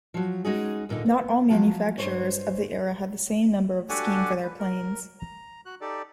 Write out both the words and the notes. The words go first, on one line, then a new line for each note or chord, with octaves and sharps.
Not all manufacturers of the era had the same number scheme for their planes.
F3 F#3
G#3 C#4 D#4 F#4 G#4
D#2 A#2 D3 D#4
B3
F3 F#3 F5 A5
G2 C5 C#5
D4 F#4 G4 A4 F#5 G#5
B4
A#4
A#5
F#4 F#6
D#4 G4 A4 D5